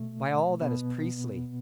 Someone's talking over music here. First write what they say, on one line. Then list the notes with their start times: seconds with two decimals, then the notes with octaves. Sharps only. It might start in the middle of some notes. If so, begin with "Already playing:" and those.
By all that is priestly!
Already playing: B2 A3
0.61 B2 B3